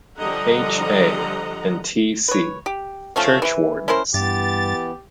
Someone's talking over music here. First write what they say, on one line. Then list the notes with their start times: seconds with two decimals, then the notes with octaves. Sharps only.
H A. and T C, Churchwardens.
0.18 D3 F3 G3 D#5 F#5 A#5
2.28 B4 C#5
2.66 G4
3.16 F3 A3 C#4
3.42 E3 E4
3.88 C#4 E4 A#4 C5
4.14 G2 E3 B3 G4 A6